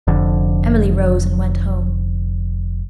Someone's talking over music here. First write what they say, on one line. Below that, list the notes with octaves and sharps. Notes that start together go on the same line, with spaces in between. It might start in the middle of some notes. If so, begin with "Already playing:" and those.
Emily rose and went home.
F1 F2 D3